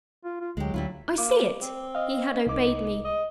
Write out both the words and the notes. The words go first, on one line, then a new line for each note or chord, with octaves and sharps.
"I see it." He had obeyed me.
F4
F4
D2 F#3 G#3 G4
D2 G3 E4 F4
A#3 D6
C4
D#5 F5
C2 D#4 D6
D#5